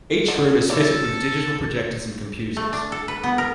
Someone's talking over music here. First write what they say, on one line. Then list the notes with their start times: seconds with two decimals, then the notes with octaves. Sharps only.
Each room is fitted with digital projectors and computers.
0.28 D3
0.70 E4 A4 C#5 D5
2.57 A3
2.73 D4
2.92 A4
3.08 B4
3.23 B3
3.38 A#4